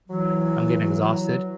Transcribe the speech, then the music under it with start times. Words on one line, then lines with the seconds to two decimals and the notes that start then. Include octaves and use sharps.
I'm getting exhausted,
0.09 E3 F#3